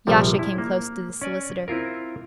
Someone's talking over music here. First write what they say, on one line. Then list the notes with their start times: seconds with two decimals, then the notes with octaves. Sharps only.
Yasha came close to the solicitor.
0.07 A#1 C3 F3 G3
0.39 E4
0.58 A#3
1.22 C#4 D5 G#5
1.68 C4 E4 F4 A#4